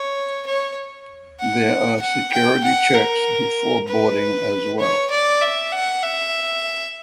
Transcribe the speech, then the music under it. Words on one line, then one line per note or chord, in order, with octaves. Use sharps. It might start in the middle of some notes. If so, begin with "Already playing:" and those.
There are security checks before boarding as well.
Already playing: C#5
C#5
F#5
F#5
G5
F#5
A#4
B4
C#5
D5
E5
F#5
E5